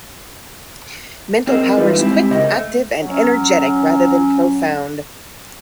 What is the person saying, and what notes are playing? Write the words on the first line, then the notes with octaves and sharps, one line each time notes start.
Mental powers quick, active and energetic, rather than profound.
C4 G#4 A#4 C5 D#5
E3 G3 A3 D#4 F4 B4
G3 G#3 C4 E4 G4
C#3 C#4 A#4 C5 D#5
A3
F#3 C#4